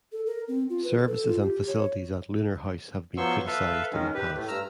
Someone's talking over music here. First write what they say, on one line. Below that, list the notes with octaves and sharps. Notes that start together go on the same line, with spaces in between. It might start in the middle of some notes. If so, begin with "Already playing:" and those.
Services and facilities at Lunar House have been criticised in the past.
A4
A#4
C4
F4
B4
A4
F4
G4
C#5
F3 F#3 B3 C6 C#6 E6
A4 B4 E5 F5
D#3 G#3 C#4
G4 B4
A2 A3
G2 A#5 E6 F6